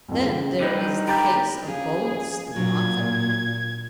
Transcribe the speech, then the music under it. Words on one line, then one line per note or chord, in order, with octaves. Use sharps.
Then there is the case of Bolus the author.
C2 F2
C#3
D3 G3 D#4 B4
G4 G5 A#5 B5 G6 A6 D7
F3 C#4 G#4
A#2 F#3 D4 G#6